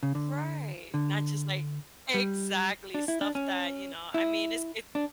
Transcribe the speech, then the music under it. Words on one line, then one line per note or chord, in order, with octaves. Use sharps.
Right. Not just, like Exactly, stuff that, you know I mean, it's it
C#3
D3
D3
G3
D4
E4
D4
C#4
E4
D4